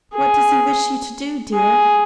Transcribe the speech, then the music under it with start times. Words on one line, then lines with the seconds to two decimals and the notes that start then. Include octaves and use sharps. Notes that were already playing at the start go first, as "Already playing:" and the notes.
'What does he wish you to do, dear?'
0.13 G#4
1.53 G#4